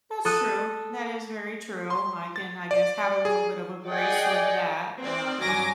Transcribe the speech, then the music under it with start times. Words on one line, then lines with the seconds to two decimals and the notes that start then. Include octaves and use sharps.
That's true. That is very true, I can, I guess, have a little bit of a grace with that, um,
0.25 A4 D#6 F#6 D#7
1.90 C6
2.36 A6
2.71 D5
3.25 G#4
3.88 G#4 D5 D#5 F#5 G5
5.00 C4 D5
5.40 C2 G2 F#3 G#5 D6 A#6